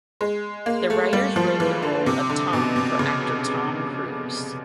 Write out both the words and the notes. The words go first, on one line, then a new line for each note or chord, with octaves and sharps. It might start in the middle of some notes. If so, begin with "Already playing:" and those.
The writers wrote the role of Tom for actor Tom Cruise.
G#3
A#3
A3
G3
F3
E3
D3
C3
D3
B2
C3
C#3